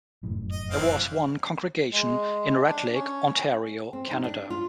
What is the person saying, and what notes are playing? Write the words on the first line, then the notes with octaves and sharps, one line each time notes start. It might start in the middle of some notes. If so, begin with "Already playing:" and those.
There was one congregation in Red Lake, Ontario, Canada.
F1 F#2 A2
D#5
E3 C4 F5
G#3
D4
C#4
C4
D#4
D4
F4